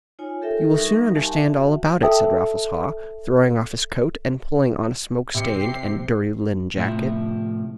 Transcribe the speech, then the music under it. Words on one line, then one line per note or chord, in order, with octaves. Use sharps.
"You will soon understand all about it," said Raffles Haw, throwing off his coat, and pulling on a smoke-stained and dirty linen jacket.
D#4 F4 C#5 G#5
G4 A4 A#4 E5 G5
G3 D#4 A#4 E5 C#6 D#6
D#4 G4 F5 G#5 A5 C6
F#4 E5 F#5
A4 E5 G5 A5 D#6
C3 C4 G4 C7 C#7
A2 C3 F3 E4